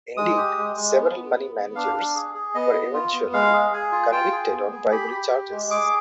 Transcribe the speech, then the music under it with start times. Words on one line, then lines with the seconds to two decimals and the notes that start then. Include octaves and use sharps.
Indeed, several money managers were eventually convicted on bribery charges.
0.17 G#3 D#6
0.37 G4
0.57 G#3
0.76 G#3
0.97 B3
1.16 B3
1.36 B3
1.56 B3
1.75 D4 F5
1.95 D4
2.15 G#4
2.35 G#4
2.55 B3 D#5
2.73 B3
2.94 F4
3.13 B3
3.33 G#3 F5
3.53 G#4
3.73 G#4
3.92 F4
4.12 F4 G5
4.32 G#4
4.51 B3
4.72 G#4
4.91 G4 B5
5.11 G4
5.31 G4
5.51 G#3
5.70 G#4 D6